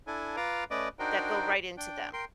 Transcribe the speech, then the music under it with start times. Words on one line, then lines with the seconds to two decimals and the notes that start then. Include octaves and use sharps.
that go right into them,
0.07 D4 E4 A4 G#5
0.36 F4 B4 F5 A#5 D6
0.71 A3 C#4 B4 D5 D#5 D6
0.99 D4 D#4 F#4 A#4 C5 G5
1.77 D4 G5
2.13 A#4 G5 C6